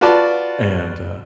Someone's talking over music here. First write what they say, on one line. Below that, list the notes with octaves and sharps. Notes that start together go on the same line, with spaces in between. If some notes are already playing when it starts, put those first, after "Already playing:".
and, uh
F4 F#4 B4 D5 A5